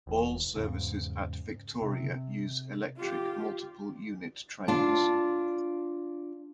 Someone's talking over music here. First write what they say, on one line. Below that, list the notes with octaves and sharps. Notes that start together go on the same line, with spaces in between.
All services at Victoria use electric multiple unit trains.
E1 E2
E2 G#2 C#3
C3
F4 G4
D4 F4